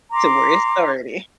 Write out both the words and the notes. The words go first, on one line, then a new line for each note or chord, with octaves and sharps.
to where it started.
A#5 C6 D6